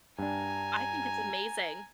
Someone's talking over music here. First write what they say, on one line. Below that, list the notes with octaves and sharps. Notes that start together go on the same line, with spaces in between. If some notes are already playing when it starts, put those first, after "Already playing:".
I think it's amazing.
G2 D4 G#5 A#5